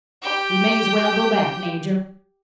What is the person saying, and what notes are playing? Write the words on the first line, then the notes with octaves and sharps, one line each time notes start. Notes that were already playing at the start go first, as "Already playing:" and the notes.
We may as well go back, major.
G4 G5